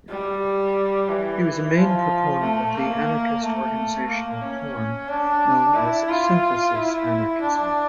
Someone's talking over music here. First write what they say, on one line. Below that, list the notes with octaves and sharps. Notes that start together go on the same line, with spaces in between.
He was a main proponent of the anarchist organizational form known as synthesis anarchism.
G3
E3
F3
A3
A#3
A3
A#3
C#4
D4
E4
F4
E4
D4